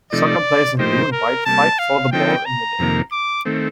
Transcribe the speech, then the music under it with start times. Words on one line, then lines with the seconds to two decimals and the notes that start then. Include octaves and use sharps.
Soccer players in blue and white fight for the ball in midair.
0.12 C3 F3 A3 D#4 D5
0.79 A2 F3 A#3 D#4 G4 C5
1.12 A#4
1.46 C3 G3 A#3 A5
1.79 F5
2.12 D3 F3 C4 D#4 A4 G5
2.45 A#5
2.79 F2 C3 D#3 A#3
3.12 D6
3.45 D#3 A3 C4